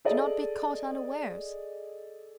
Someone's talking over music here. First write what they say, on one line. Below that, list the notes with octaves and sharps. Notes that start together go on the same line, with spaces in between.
Do not be caught unawares.
G#4 A4 D5 D#5